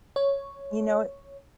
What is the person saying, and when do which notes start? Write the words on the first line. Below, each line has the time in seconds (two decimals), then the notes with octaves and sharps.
You know it
0.16 C#5